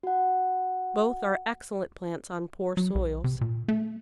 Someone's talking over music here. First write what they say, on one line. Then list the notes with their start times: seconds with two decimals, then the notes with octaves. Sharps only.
Both are excellent plants on poor soils.
0.03 F#4 F#5
2.77 F#3
2.95 B1
3.24 C3
3.41 A#2
3.68 A3